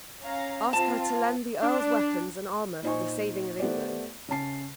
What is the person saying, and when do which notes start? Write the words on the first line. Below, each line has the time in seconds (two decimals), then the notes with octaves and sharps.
"Ask her to lend the earl's weapons and armor for the saving of England."
0.20 C#4 F5 A#5
0.73 C4 F4 A5
1.62 D4
2.83 A#2 D#4 C5 D#5 G#5 C#6
3.59 A3 B3 G4 C5 D5
4.28 C#3 C#4 A5 C7